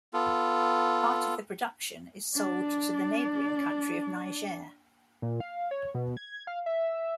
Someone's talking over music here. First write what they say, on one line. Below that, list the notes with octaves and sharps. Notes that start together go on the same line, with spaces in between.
Part of the production is sold to the neighbouring country of Niger.
B3 F4 A4
D4 D5
A#2
F5
C#5
B2
G#6
F5
E5